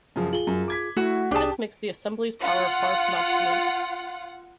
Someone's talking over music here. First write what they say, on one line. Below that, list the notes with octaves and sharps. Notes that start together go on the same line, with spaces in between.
This makes the Assembly's power far from absolute.
F#2 C#3 F3
F4 G#4 F#7 G7
F#2
D6 G#6 B6
A3 E4 F#4
C2 D4 G4 G#4 G5 A5 D#6
F4 F#5